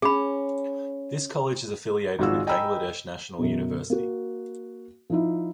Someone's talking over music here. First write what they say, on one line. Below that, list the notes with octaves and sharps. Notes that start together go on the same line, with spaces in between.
This college is affiliated with Bangladesh National University.
C#4 G#4 B5
G#1 G#2 F4 F#4 G#4 E6
D#5 G5 G#5 A#5 B5 E6
F#2 B2
A#3 F#4
F3 D#4 E4